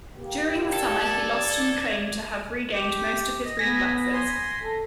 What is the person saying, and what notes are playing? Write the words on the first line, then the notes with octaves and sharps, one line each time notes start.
During the summer he lost and claimed to have regained most of his reflexes.
A#3 G4
A4 D5 G#6
G4
D#5
B3 G#5 A#6 B6
G#5 C6
A4